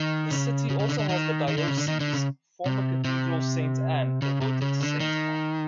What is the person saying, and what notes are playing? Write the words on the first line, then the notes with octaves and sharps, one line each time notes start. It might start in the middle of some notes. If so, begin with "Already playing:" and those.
The city also has the diocese's former cathedral Sainte Anne, devoted to Saint Anna.
Already playing: D#3
C#3
C#3
C#3
D3
D3
D#3
D#3
D3
C#3
D3
D#3
D3
C#3
C3
C3
C#3
C3
C#3
D3
D#3